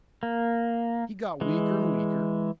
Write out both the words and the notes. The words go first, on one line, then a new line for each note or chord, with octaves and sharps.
He got weaker and weaker.
A#3
E3 G#3